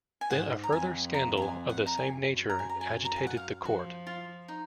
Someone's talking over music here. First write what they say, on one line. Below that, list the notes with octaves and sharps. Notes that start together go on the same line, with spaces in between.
Then a further scandal of the same nature agitated the Court.
G#5
G#2 F#5
A#5
F2 G#5
A#5
A#5
G#5
F#5
A#5
F#2 G#5
A#5
G#5
A#5
G#5
A#5
G#5
F#5
F5
F3 F#4
F4
D#4